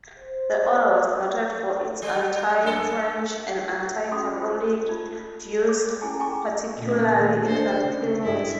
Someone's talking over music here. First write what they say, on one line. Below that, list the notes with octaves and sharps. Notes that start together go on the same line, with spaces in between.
The Order was noted for its anti-French and anti-Catholic views, particularly in that period.
C5
G3
F#2 A4
C#4 F#4 G#4 B5 D6 D#6
F4 C5
D#4 F4
C#5 D6
C#4 E4 G#4 G#5 A5
G5 G#5 A#5 C#6 D6
A#2 C#3 A3
A#2 D#3
D4 A4 C5
C#3
G2 G#3 E4